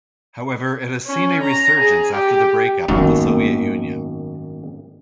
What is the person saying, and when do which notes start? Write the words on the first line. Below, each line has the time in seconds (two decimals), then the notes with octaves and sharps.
However, it has seen a resurgence after the break-up of the Soviet Union.
1.07 C#4
1.43 A#5
1.80 G#4
2.14 G4
2.88 G#1 F#2 D#3 A#3 B3